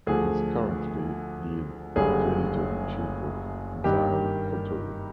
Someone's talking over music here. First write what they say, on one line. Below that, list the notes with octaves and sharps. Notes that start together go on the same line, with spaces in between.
He is currently the editor-in-chief of "Exile" Quarterly.
D2 D3 F3 G#4
F#1 F#2 D3 G3 G#4
G2 D#3 G3 A#3 G4